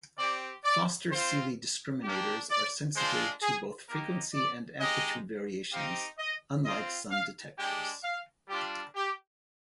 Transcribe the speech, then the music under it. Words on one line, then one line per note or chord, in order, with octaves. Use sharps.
Foster-Seeley discriminators are sensitive to both frequency and amplitude variations, unlike some detectors.
C4 G4 D5
D5
C4 F4 C5
A#3 D4 G4
D5
G#3 D4 F4 C5
G#4
A#3 D#4 G4 A#4
D5
G#3 D#4 G4 D#5
C4 D#4 G4 F5
D#5
C4 F4 D#5
F5
G#3 D4 G4 G5
F5
G3 D4 F4 G4
G4